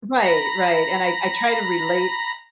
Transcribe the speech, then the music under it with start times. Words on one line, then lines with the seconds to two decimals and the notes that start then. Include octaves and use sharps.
Right, right, and I I try to relate
0.21 A#5 B5 A#6